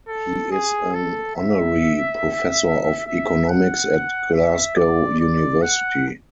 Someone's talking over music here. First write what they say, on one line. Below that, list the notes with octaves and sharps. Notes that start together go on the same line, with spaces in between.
He is an honorary Professor of economics at Glasgow University.
A4
G#4
A4
E5
E5
F#5
E5
D5
D5
F#5